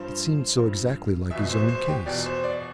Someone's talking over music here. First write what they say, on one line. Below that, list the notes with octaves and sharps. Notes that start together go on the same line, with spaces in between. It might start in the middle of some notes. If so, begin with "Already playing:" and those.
It seemed so exactly like his own case.
Already playing: G2 F3 C5
G2 F3
E2 B2 E5
C5
C5
G4
E2 B2 D5
C5
D5